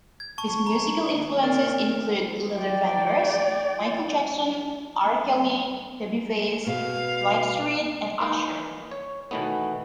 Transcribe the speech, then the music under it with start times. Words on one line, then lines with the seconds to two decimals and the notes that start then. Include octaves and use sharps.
His musical influences include Luther Vandross, Michael Jackson, R. Kelly, Babyface, Blackstreet and Usher.
0.20 G#6
0.38 A5 C#6
0.66 A#5
1.43 C4 A#4 D5
2.57 D5 G5
6.67 B2 F5
8.20 E3 A#3 D#4
8.91 C#5
9.31 B2 D#3 E3 A3 B3